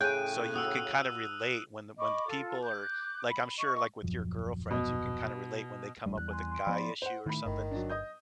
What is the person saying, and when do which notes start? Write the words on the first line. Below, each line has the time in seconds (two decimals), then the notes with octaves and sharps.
So you can kind of relate when the when the people are like, I'm sure, like, with your girlfriends, you can kinda relate when they come up with a guy issue or something.
0.01 A2 C#3 G#4 G5 F#6 D#7
0.56 F#4 D#6 E6
1.99 D#5 B5 C#6 D6
2.27 F4 A4
2.61 D6 F#6 G6
3.29 B5
3.58 D#5 C#6
4.03 D#1 F#2 F3
4.71 B2
6.06 A1 G2 G3
6.18 E2 G3 F#6
6.31 G#5 C6
6.51 C6 D7
6.67 F3 B3 D5 B5
7.02 C5 F#5
7.26 A2 D#3 B5
7.46 G1 D#3
7.71 F#3 D4
7.89 D#5 D#6 G6